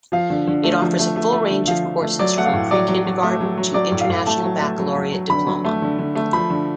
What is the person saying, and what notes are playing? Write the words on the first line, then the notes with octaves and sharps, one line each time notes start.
It offers a full range of courses from pre-kindergarten to International Baccalaureate Diploma.
F3 F5
D3
D3
A3
F3
A3
A3
A3
D3
F3 F5
F3
A3
F#3 D5
A3 F#5
F5
A2
F#3 D5
F#3
F#3
A3
F#3
F#3
F#3 D5
A2
F5
A2
A3 A5
F#3
A3
F#3
F#3
F#3
D3 B5
F#3
A3
D3
D3
A3
F3 B5
D3